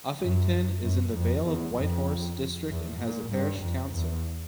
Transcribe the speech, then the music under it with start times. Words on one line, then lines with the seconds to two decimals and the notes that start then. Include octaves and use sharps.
Uffington is in the Vale of White Horse District and has a parish council.
0.21 F#2
0.83 F#2
1.13 F2
1.44 E2
1.76 F2
2.69 E2
3.00 A#2
3.30 G2
3.61 F2
3.93 E2